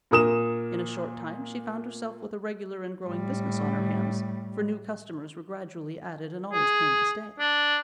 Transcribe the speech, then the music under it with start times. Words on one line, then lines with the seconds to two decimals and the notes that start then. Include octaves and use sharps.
In a short time she found herself with a regular and growing business on her hands, for new customers were gradually added and always came to stay.
0.11 A#2 A#4 D#6 E7
3.07 A2 G3
6.53 G#4
7.39 D4